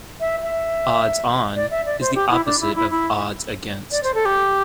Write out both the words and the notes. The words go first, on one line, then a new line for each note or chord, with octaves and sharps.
"Odds on" is the opposite of "odds against".
E5
E5
D5
E5
D5
C5
G4
E4
D4
E4
E4
E4
D5
C5
A4
G4